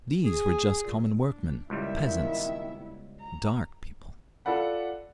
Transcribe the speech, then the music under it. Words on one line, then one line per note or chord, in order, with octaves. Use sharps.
These were just common workmen, peasants, "Dark People."...
G#4
A#2
D4
C#2 A#2 D#3 G3 B3 E4 E5
A#5
F4 A4 D5 F#5 B5